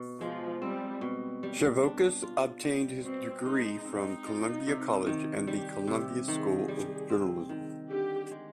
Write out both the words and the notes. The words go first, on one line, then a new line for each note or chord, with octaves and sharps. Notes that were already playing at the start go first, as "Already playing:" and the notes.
Chervokas obtained his degree from Columbia College and the Columbia School of Journalism.
Already playing: B2
F3 G#3
G3 C4
B2
G3
D4
F4
G3
B2 C4
G#3 D#4
C4 D#4
F4
C3
D#3
G3 G4
C3
D#3 G#4
G3
C4
D#3
D3 G4
G#3